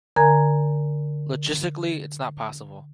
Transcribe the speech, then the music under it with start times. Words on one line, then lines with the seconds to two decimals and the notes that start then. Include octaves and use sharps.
Logistically it's not possible.
0.16 D3 A#4 G#5 A#5 G#6